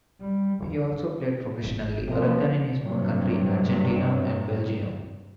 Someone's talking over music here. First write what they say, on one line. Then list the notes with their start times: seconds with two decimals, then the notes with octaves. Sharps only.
He also played professionally, other than in his own country, in Argentina and Belgium.
0.20 G3
1.66 G#1
2.07 G#2 B2 F3 C4 A#4
2.22 A#3 C#4 B4
2.83 G2 C3 F#3